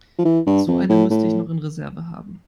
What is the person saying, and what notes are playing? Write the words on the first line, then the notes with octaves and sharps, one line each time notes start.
So eine müsste ich noch in Reserve haben.
F3
E3
G2
F2
A2
A2